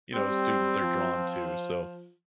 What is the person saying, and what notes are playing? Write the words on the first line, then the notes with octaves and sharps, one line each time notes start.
you know, student they're drawn to, so,
G3 C4
F3